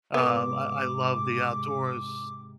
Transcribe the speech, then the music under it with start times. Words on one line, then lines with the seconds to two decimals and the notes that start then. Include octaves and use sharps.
uh, I I love the outdoors,
0.14 G#2 C3 B3 D6